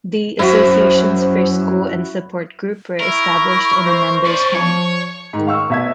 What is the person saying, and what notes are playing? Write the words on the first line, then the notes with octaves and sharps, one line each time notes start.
The Association's first school and support group were established in a member's home.
F#2 E4 F#4 C5
E4 A#4 C#6
C5
C#4 D5
F3 C#5
G#2 D#3
F5 C#6 E6
B2 E5 G#6